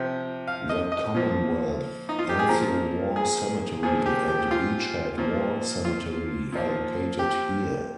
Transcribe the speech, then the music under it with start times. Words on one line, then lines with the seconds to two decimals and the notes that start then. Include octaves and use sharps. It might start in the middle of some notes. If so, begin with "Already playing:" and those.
The Commonwealth Anzio War Cemetery and Beach Head War Cemetery are located here.
Already playing: C3 F3 G5
0.47 F5
0.69 D#5
0.92 D#5
1.15 A#2 F3
2.09 D#4
2.19 F4
2.29 G4
2.39 G#4
2.48 A#2 F3 A#4
3.16 G#4
3.83 A#2 F3 G#4
4.06 G4
4.28 G4
4.51 F4
5.18 A#2 F3
5.85 F4
6.52 A#2 F3
7.19 G4